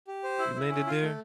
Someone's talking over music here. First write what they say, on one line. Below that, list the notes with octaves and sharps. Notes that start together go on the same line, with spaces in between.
you landed there?
G4
C5
E4
E4
C#4
F4
A3